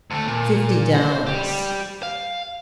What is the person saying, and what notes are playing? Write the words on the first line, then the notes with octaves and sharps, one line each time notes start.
"Fifty dollars."
D2 A3
A#2
C5
G3 G4
F5